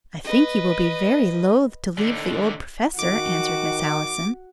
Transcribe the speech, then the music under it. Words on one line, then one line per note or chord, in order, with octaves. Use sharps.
"I think he will be very loath to leave the old professor," answered Miss Allison.
B4 D#5
D#2 D3
D#3 F#4 D6